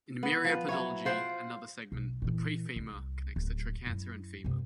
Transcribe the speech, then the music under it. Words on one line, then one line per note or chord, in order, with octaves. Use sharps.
In myriapodology another segment, the prefemur, connects the trochanter and femur.
B3
F3 B4
F#3 E4 C#5
F4 C5 F#5 G5
B1
A#2 E3
C2
D1
F#2 E4
F#2 C3